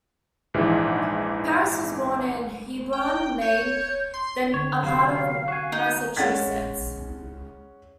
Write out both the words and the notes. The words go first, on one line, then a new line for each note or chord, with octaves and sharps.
Parris was born in Hebron, Maine, then a part of Massachusetts.
A#1 G#2 E3
G5
C#5 G6
C6
D3 C4 C#5
C3 F#3 B3 F5
F#4 G#5
D#4
G#3 C#4 F5 F#5 A6 B6